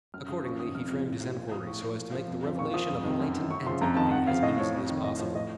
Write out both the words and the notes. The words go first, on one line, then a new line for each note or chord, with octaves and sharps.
Accordingly he framed his enquiries so as to make the revelation of a latent antipathy as easy as possible.
F#2 F6
C#3 F3 D#6
F#2 C#6
D#3 D#6
F2 F6
C3 F3
A2
F3
A#2
F3 D#6
A2 C#6
F3
A#2
F3
F2
C#3 F3
A#2 C#6
F3 D#6
F2
C3 D#3
F#2
D#3
F#2 C#6
C#3 F3 C6
F2 A#5
D#3 A5
F2 F#5
C#3 F3 F5
A2 D#5
F3 C#5
F2
D#3
A2 D#5
F3 C#5
A2 D#5